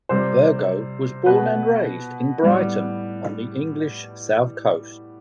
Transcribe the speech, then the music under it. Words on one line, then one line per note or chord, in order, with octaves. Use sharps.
Virgo was born and raised in Brighton, on the English South Coast.
C3 G3 C4 C5
B2 B3 B4
A2 G3 B3